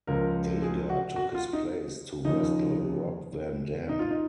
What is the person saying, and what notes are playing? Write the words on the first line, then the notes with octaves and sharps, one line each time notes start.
Daga took his place to wrestle Rob Van Dam.
C#2 C#3 F3 A#4
G#4
F#4
F#4
F4
D#4
D#2 C#3 F3 D#4
D#4
F4
D#4